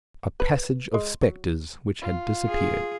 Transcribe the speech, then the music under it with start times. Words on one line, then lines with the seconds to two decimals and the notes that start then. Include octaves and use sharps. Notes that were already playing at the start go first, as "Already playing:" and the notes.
A passage of spectres, which had disappeared.
0.40 B4
0.94 G#3
1.22 F#3
2.02 F4
2.49 G#4